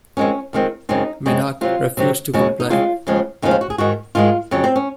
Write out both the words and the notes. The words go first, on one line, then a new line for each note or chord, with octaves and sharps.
Medak refused to comply.
F2 D#3 G#3 C4 C#4
F2 D#3 G#3 C4
F#2 C#3 G#3 C4 D#4
F#2 C#3 G#3 C4
C3 F#3 C4 F4
C3 F#3 C4
D#2 C#3 G#3 F#4
D#4
D#2 C#3 G#3 F4
D#2 C#3 F3 G#3
D#2 C#3 F3 G#3 D#4
F4
F#4
G#4
G#2 D#3 G#3 F#4
G#2 D#3 G#3 F4
F2 C#3 F#3
C4
C#4